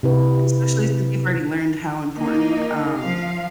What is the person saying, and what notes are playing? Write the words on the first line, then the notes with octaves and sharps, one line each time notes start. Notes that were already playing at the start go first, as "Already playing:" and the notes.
And especially since you've already learned how important, um,
C3 E4 B4
A#3 D#4
F3 F5